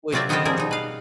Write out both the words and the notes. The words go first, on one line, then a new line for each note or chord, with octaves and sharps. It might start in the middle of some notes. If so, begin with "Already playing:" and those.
Which means,
C3 F#3 C4 F4 D5 E5
D#3 B3 C4 D#4 F4 G5
F3 G3 C4 G#4 A#4
B2 D#4
B4 F5